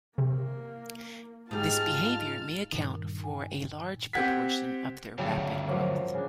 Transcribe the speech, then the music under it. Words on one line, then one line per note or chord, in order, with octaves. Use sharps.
This behavior may account for a large proportion of their rapid growth.
C3 A#3
G#2 D#4 F4 G4 G#4 A5 F6
G2 A#2 D#3
G5 G#5
C4 G4 F#5 G#6 B6
D2 G2 C#3 F#3 G3
F3 F#3 A#3
C#3 D4